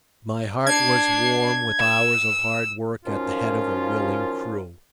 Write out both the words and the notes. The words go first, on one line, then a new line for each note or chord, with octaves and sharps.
My heart was warm with hours of hard work at the head of a willing crew.
D4 G#6 C7
E6
F#2 D#3 F3 C#4 F4